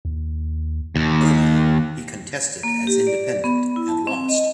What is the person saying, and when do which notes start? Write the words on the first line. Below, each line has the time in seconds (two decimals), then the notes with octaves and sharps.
Earlier he contested as Independent and lost.
0.05 D#2
0.96 D#2
2.63 A#3
2.87 G4
3.07 D5
3.44 B3
3.76 E4
3.88 A5
4.07 C4
4.29 D#5